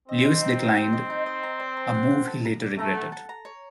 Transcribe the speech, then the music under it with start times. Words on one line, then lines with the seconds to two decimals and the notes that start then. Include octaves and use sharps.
Lewis declined, a move he later regretted.
0.08 C4 D#5
0.26 D#4
0.42 D#4
0.60 A#4
0.75 G4
0.93 D#5
1.10 D#4
1.26 D#5
1.43 A#5
1.60 D5
1.77 A#5
1.94 F#5
2.11 F#5
2.27 A4
2.45 A#5
2.62 D5
2.78 A3 A#5
2.95 F#5
3.12 A4
3.29 A#5
3.45 C#5